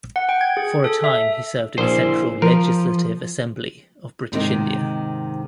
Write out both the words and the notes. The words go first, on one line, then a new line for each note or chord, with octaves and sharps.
For a time he served in the Central Legislative Assembly of British India.
F#5
G5
G#6
G#4
A4
E5
A#1 E4 C5
F3 A#4
G#2 C3 D#3